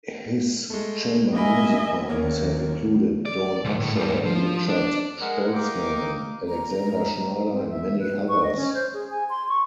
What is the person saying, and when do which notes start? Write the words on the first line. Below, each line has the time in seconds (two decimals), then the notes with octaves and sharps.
His chamber-music partners have included Dawn Upshaw, Richard Stoltzman, Alexander Schneider, and many others.
0.70 G#3 A3
1.35 A#3 A#4 D#5 E5 G#5 B5
2.09 D#2 A#3 C#4 A#4
3.25 D5
3.65 D2 G#2
3.80 A2
3.96 G#2 G3
4.25 F3
4.69 D4
5.21 G#3 A#4 F#5
5.53 A#3 D#4 G4 D6
6.48 A#5
7.52 C4
7.69 E5
7.99 B4
8.28 C#6
8.43 D#5
8.56 C#4
8.74 C5
8.94 G#4
9.10 G#5
9.29 C6
9.49 C#6